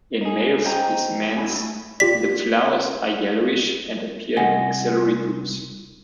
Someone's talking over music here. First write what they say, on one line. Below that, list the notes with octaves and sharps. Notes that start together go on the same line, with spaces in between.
In male specimens, the flowers are yellowish and appear in axillary groups.
D#4 G#4
C5 D#5 G5 G#5 A#5
D3 G#3 E4 G#5
A3
F4 G4 D5 B6
C2 D#5 F#5 G#5